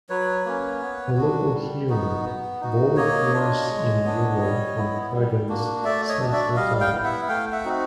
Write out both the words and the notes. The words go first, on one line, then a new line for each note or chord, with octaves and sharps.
A local hero, Ball appears in a mural on Creggan's Central Drive.
F#3 B4 C#5
A#3 C#4
B3
D4 F#4
G3
B3 D#4 F#4
B3
D#4 F#4
A#3 C#5 D#5
D4 F4
G#3
B3 D4
G3
B3 E4
G3
A#3 D4 F#4
A3 D5 E5
C#5 D#5
D4 F#4
D5 E5
G3 D#5 F5
F5 G5
B3 E4
E5 F#5
A3 F5 G5
E5 F#5
C4 D#4 F#4